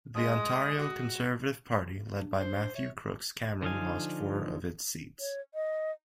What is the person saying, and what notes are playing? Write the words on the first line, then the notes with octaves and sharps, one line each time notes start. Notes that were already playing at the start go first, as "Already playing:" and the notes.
The Ontario Conservative Party, led by Matthew Crooks Cameron lost four of its seats.
G#3 D#6
F#4
D4
C5
C#5 E5
D3 F3 D#4 F5 G#5
C#5
D#5